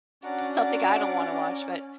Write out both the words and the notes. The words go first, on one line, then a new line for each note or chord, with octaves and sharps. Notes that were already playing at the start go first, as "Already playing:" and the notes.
but something I don't wanna watch, but
C#4 D4 F#4 D5 F#5 A#5